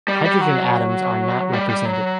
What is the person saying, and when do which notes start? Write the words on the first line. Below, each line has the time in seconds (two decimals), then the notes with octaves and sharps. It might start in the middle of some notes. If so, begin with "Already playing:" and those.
Hydrogen atoms are not represented.
0.08 G3
0.25 G3
0.41 F#3
1.53 G3
1.69 G3
1.85 F#3